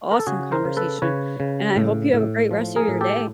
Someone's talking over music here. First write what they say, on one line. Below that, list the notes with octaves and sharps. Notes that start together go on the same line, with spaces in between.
awesome conversation, and I hope you have a great rest of your day.
A#4
A4
C#3 F#4 G#4
A#4 C5
C#3
A4 B4
C#3 B4 C#5
C#3
A2
A2
F3
G#4 A#4
A2
G4 A4